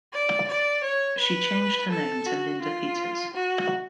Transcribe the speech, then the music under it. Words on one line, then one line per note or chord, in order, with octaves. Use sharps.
She changed her name to Linda Peters.
D5
D5
C#5
B4
A4
F#4
F4
F#4